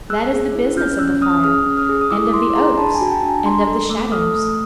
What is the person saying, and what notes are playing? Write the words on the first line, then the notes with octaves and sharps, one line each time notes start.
That is the business of the fire, and of the oaks and of the shadows.
G#4 E6 F#6
G#4
E4
C#4 F6 G6
C#4 E6 F#6
C#4 D#6 F6
G#4 D#6 F6
C#4
D#6 F6
G#4
D#6
E4 D6 E6
E4 C6 D6
G#4 A#5 C6
D4 A5 B5
G#5 A#5
F#4
G5 A5
D4
G#5 A#5
D4 A#5 C6
A4
A3 D6 E6
A4 D#6 F6
A3 D#6 F6